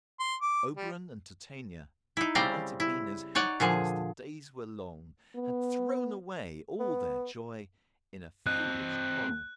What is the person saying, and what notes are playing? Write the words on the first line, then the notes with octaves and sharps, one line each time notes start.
Oberon and Titania, who might have been as happy as the days were long, had thrown away all their joy in a foolish quarrel.
C6
D6
G3
D#4 E4
C#3 G3 C4 C5 D5 A#5
E4
D#4 C#5 D5 F#5
A#2 D3 F3 G#4
B3
B3
C4 D#5 F#6